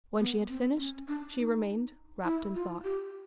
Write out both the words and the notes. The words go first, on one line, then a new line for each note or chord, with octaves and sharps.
When she had finished, she remained wrapped in thought.
B3
C4
C#4
D4
D#4
E4
F4
G4